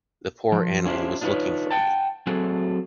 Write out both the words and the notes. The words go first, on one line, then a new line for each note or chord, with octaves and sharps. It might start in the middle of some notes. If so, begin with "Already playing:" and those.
The poor animal was looking for me.
F3
C#4 D4 E4 F4 G4 C5
D4 D#4 F4 A#4 B4 C#5
F#5 G5 A5
F#3 A3 C4 F#4 G#4 A4